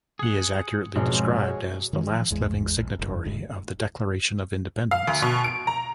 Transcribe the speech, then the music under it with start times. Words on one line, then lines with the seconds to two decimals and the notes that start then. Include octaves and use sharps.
He is accurately described as the last living signatory of the Declaration of Independence.
0.19 G#4 F#5
0.96 E1 G#2 C3 F3 G#3 F#4 G#4 C#5
1.93 D#3 E3 G#3
2.11 F3
2.31 A1 E2 G#3
2.76 A#1
2.99 F#1 G2
3.24 D#1 D2 G#2
4.91 F5
5.08 D2
5.22 B2
5.44 D7
5.67 A#5